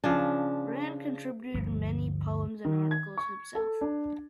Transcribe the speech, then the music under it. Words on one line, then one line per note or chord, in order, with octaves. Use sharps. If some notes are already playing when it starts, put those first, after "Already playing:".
Brand contributed many poems and articles himself.
C#3 F3 D4
G1 D2 F3
D#3
G#6
C#6
A4
D4